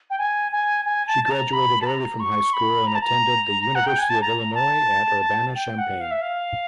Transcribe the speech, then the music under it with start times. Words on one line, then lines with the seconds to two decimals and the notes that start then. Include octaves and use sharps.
She graduated early from high school and attended the University of Illinois at Urbana-Champaign.
0.10 G5
0.18 G#5
0.52 G#5
0.85 G#5
1.07 A5
1.24 A5
1.30 A#5
1.53 B5
1.82 A5
1.86 A#5
2.20 C#6
2.54 B5
2.87 A#5
2.95 A5
3.02 A#5
3.75 F#5
3.87 G5
3.98 G#5
4.10 A5
4.21 A#5
4.55 A5
5.55 G5
5.78 F#5
6.01 F5
6.11 E5
6.22 F5